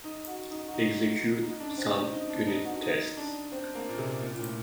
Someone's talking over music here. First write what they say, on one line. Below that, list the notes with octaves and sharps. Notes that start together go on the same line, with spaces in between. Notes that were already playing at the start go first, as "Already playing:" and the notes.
Execute some unit tests.
D#4
F#4
D#4
F#4
D#4
D#4
D4
D4
C4
D#4
D#4
D4
D#4
F#4
D#4
D4
C4
A#3
A#2
C3
A#2
A#2
A2